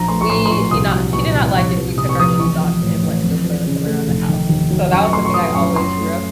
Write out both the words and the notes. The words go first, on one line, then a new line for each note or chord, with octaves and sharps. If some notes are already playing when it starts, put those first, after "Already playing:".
we she not she did not like if we took our shoes off and went to go play with them around the house. So that was something I always grew up
Already playing: A#1 A#5
A3 C6
C#6
A2 C6
C6
A#1 C#6
C2 D#6
F#3
A#2 C#6
C2
F2 C#6
F3
C3 D#6
C#6
F2 D#6
A1 C#6
F3
A2
A1
F2
F3
C#3
A3
F1
D#3
D#2
F#3
F#2 C#6
C#6
A3 C6
C#6
F3 D#6
F#2 C#6
F#2 C6
A3